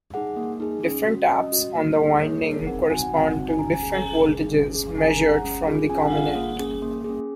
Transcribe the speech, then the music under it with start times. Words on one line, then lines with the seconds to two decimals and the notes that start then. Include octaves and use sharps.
Different taps on the winding correspond to different voltages, measured from the common end.
0.14 D#4 G#4 F#5
0.36 A#3
0.60 D#4 G#4
0.84 C#4
1.07 F#4
1.29 C#4 D#5
1.52 F#4
1.75 A#3
1.99 D#4 G#4
2.21 A#3 C#5
2.44 D#4 G#4 A#4
2.67 C4 F#5
2.91 D#4 F#4 G#5
3.03 F#5
3.14 C4 F#5
3.36 D#4 F#4
3.49 G#5
3.59 C#4 A#5
3.74 G#5
3.82 G#4
3.91 A#5
4.05 C#4
4.28 G#4
4.52 C#4
4.75 G#4
4.97 C#4 G#5
5.09 A#5
5.20 G#4 A#5
5.32 F#5
5.44 C#4
5.67 F4 G#4
5.90 C#4 G#5
6.02 F#5
6.12 F4 G#4 F5
6.24 F#5
6.35 A#3
6.59 C#4 G#4
6.82 A#3
7.04 C#4 G#4